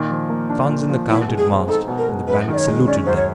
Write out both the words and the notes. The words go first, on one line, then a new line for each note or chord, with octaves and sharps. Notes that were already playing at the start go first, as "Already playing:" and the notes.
Franz and the count advanced, and the bandit saluted them.
Already playing: A#2 D#3
F3
A#3
D4
A#2
F3
B2 E4
G#3
G#4
C4
D#4 A4
B2
A#4
G#3
F#2 B4
D#3 D5
C#5
G#3
C#4 D5
F#2 C5
C#5